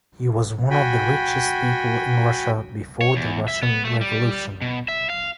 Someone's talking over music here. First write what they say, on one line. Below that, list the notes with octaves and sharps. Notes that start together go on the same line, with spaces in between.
He was one of the richest people in Russia before the Russian Revolution.
F#4 G5 G#5 B5
C#5
E2
E5
B3
A3
G3
B2
E5
F5